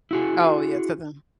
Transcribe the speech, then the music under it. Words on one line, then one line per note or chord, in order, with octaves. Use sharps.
Oh yeah, to them
E4 F#4 G#4